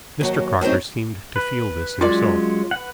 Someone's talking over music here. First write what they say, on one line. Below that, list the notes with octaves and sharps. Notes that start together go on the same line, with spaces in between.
Mr. Crocker seemed to feel this himself.
D#2 F#3
A2 F#3 A3 C4 D#4
B4
F#3 G#3 C#4 F4 D5
B4 F#5